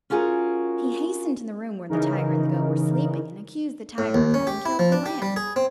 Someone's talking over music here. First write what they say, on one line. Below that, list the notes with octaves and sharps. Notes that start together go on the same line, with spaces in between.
He hastened to the room where the tiger and the goat were sleeping and accused the tiger of having killed the lamb.
C#4 F4 F#4 G#4 A#4
C#3 E3 D#4 A#4
A2
D#2
C#4
G4
E4
F3
D4
G4
G3
G#4
C4